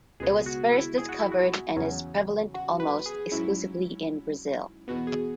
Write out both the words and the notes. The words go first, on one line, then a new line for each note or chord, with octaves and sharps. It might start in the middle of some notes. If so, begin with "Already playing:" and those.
It was first discovered and is prevalent almost exclusively in Brazil.
C#2 B2 G#3 B3 G#4
F#4
E4
G#4
F#4
E4
F#4
E2 C#3 F#3 C#4
F#4
B4
G#4
G#2 F#3 C#4 E4
E2 B2 B3 F#4
G#4